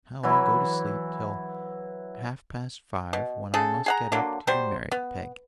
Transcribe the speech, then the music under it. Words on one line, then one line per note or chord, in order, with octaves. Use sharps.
And now I'll go to sleep till half-past five, when I must get up to be married, Peg!'
E3 F#3 E4
B2
C#3 G#4 A4
G#4 F#5 A#5
D3 F#3 A#3
F#3 G3 C5
B3